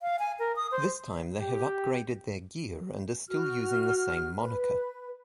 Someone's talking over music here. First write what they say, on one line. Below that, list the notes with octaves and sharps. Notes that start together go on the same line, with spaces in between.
This time, they have upgraded their gear and are still using the same moniker.
F5
G#5
A#4
D#6
C5
G4
F#4 F6
B4